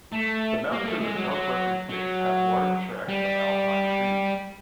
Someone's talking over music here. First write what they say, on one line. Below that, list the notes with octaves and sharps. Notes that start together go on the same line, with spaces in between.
The mountains of the southwestern states have large tracts of alpine trees.
A3
A#3
A3
G#3
F#3
F#3
F#3
G3